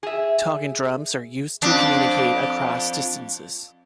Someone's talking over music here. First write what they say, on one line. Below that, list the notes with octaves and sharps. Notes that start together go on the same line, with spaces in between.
Talking drums are used to communicate across distances.
G#4 E5
F2 D4